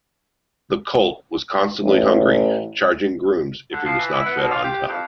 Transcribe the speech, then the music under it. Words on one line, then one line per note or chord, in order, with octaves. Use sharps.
The colt was constantly hungry, charging grooms if he was not fed on time.
A1
D3
F3
E3
E4
B3
B2
F4
G4
F2